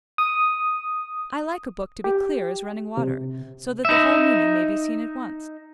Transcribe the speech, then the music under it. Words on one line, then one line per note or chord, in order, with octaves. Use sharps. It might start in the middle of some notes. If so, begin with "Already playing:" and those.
"I like a book to be clear as running water, so that the whole meaning may be seen at once."
D#6
G4
C3
D#4 E5